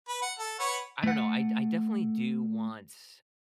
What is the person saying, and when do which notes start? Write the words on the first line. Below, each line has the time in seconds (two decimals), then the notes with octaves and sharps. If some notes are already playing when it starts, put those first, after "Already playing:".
I don't know. I d I definitely do want
0.08 B4
0.22 F#5
0.39 A4
0.60 B4 C#5 F#5
1.04 A3 F#5